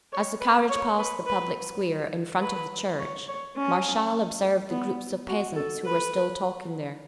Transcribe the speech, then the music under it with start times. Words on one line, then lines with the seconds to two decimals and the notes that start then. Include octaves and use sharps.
As the carriage passed the public square in front of the church, Martial observed the groups of peasants who were still talking there.
0.12 C#5
0.41 B4
0.69 C#5
0.99 B4
1.26 B4
2.41 B4
2.99 C#5
3.28 C#5
3.56 C#4
4.70 B3
5.28 F#4
5.56 A4
5.85 B4